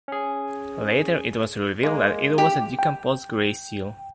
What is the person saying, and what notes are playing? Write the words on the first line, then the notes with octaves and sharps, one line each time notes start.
Later it was revealed that it was a decomposed grey seal.
C#4 G#4
G#3 A#3
G4
G5